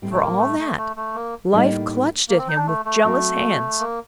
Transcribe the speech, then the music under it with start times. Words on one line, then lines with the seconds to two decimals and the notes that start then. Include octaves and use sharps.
For all that, life clutched at him with jealous hands.
0.02 A2 G3 C4
0.11 A3
0.21 A#3
0.40 A3
0.59 A3
0.78 A3
0.96 A3
1.15 A#3
1.53 A2 G3 A#3 D#4
2.29 A#3
2.38 C4
2.48 D#4
2.57 D4
2.67 A3
2.85 A3
3.05 F#3 C4 F#4
3.80 A#3